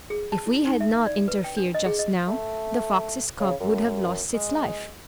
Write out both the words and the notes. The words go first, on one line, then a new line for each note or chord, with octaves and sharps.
If we had not interfered just now, the fox's cub would have lost its life.
G#4
A5
E4
D#4
E5
D5
B4
G5
D4
D#5
G#4
D#5
A3
C#3
F#2
G#3